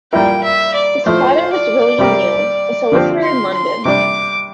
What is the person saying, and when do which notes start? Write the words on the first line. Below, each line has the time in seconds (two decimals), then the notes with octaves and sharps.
His father was William Neal, a solicitor in London.
0.13 A#2 G3 A#3 E4 A#4 G5
0.44 E5
0.74 D5
1.06 A2 F3 A3 C5
1.53 D5
1.99 C3 G3 C4 G4 A#4
2.92 D3 F3 C4 G4 C5
3.23 C6
3.54 C6
3.85 C3 G3 D4 D6